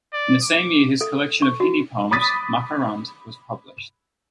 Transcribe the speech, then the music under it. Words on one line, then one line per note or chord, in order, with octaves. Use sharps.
In the same year his collection of Hindi poems "Makarand" was published.
D5
D6
A4
C#6
F#4
B5 D6 D#6 A6 B6